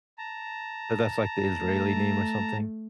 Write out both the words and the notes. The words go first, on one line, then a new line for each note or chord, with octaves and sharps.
but, that's, like, the Israeli name or something?
A5 A#5
A3